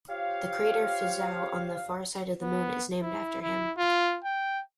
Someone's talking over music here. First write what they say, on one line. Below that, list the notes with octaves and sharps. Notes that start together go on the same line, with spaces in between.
The crater Fizeau on the far side of the Moon is named after him.
F4 G4 C5 C#5 F5
B3
E4
E4
F4
G5